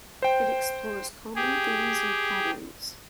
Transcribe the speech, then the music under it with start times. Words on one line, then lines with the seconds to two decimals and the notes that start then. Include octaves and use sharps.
It explores common themes and patterns.
0.22 C5 G5
1.36 G4 G#4